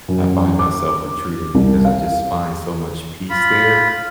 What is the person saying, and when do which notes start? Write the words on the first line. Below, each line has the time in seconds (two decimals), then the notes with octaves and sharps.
I find myself retreating because I just find so much peace there,
0.08 F#2
0.59 D6
1.55 C2
1.85 F5
3.30 F4 B5